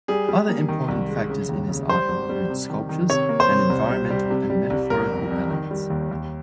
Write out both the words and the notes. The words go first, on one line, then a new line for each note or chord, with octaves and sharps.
Other important factors in his art include sculptures, and environmental and metaphorical elements.
G3 G#4
G3
A#3
D#3
C2
G#3
C#3
D#2
C#3
G3 C5
G#1
G3
C3
D#3
D#3
C3 C#5
A#3
C5
C3
C2
G3
G3
C3
G3
C2
G1 A#4
F2
F2
D#3
G3
D#2
D#2